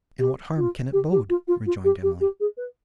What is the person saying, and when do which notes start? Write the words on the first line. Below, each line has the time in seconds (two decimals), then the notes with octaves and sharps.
'And what harm can it bode?' rejoined Emily.
0.19 G4
0.57 F4
0.93 G4
1.12 G4
1.29 F4
1.48 F4
1.66 F4
1.84 G4
2.03 G4
2.21 G4
2.40 G#4
2.57 B4